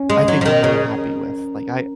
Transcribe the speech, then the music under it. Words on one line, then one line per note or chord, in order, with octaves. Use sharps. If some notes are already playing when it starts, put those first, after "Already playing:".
I think I'm really happy with, like, I
Already playing: C#4
G#3
F#3
F3
D#3
C#3 A#4